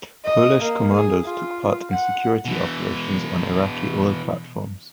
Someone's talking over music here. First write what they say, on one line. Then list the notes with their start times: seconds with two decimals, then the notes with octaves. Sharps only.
Polish commandos took part in security operations on Iraqi Oil Platforms.
0.25 D#5
0.62 A#3
0.93 G#4
1.26 F4
1.91 F#5
2.45 B2 E3